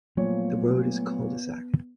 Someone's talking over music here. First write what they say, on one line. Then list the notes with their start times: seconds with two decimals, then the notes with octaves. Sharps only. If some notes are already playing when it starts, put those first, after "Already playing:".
The road is a cul-de-sac.
0.17 A#2 F3 F#3 A3 B3 C#5